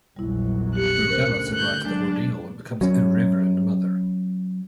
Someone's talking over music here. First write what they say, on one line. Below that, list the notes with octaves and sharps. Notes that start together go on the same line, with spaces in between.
Murbella survives the ordeal and becomes a Reverend Mother.
A#1 E2 F#3 G3 E4
G4 F#6 C#7
D2 D3 C#4 A#4 C5
F#6 G6
F#3 G#3 D4
F#3 C#4